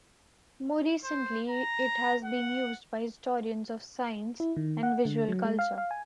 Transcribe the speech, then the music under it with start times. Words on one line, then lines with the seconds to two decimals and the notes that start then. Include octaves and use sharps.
More recently it has been used by historians of science and visual culture.
1.04 C5
1.48 A#5
2.24 F#5
4.40 E4
4.57 D#3
4.83 F#5
5.05 D3
5.28 F#3
5.45 G#3
5.59 F5
5.78 F5
5.91 G#5